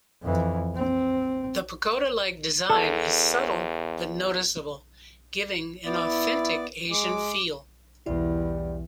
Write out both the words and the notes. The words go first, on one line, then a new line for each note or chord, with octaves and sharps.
The pagoda-like design is subtle but noticeable, giving an authentic Asian feel.
F2 E3
C4
E2 A4
B3 E4 D5
G#3 D6
B1 E2 G3 E4